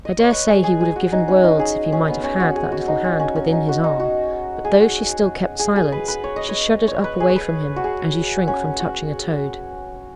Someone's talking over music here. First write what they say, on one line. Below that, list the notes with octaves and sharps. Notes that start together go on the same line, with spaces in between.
I dare say he would have given worlds if he might have had that little hand within his arm; but, though she still kept silence, she shuddered up away from him, as you shrink from touching a toad.
D#5
C#5
B4
G#4
G#4
G#4
F#4
D#4
C#4
D#4
G#4
C#4
B3
C#4
F#4
G#4
F#4
D#4
C#4
C#4
C#4
D#4
F#4
D#4
F#4
G#4
F#4
G#4
G#4
B4
B4
C#5
D#5
C#5
C#5
B4
G#4
C#5
B4
F#4
G#4
C#4
F#4